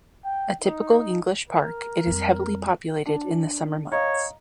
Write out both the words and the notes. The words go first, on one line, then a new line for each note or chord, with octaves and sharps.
A typical English park, it is heavily populated in the summer months.
G5
D#4
A#4
F2 G3
D4
C#5 D#5 F5 A#5